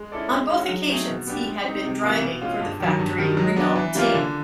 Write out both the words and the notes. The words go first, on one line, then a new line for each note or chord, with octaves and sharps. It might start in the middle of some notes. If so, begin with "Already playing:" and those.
On both occasions he had been driving for the factory Renault team.
Already playing: G#3
C#4 E4 A4 D5
G#3
C#4 F#4
F#3
A3 C4 D#4 G#4
B2
G3 B3 D4 G4
G#3
C4 D#4
C3
E3 G3 A#3
B2
G#3 C#4 F4
G2
D#3 F#3
G2
D#3 G3
F#3
B3 D4
E3
G3 A#3 C#4 F4
D3